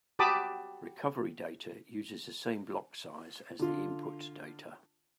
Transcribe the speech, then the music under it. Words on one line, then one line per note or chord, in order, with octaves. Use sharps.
Recovery data uses the same block size as the input data.
F#4 G4 A5 B5 D6 D#6
D3 F4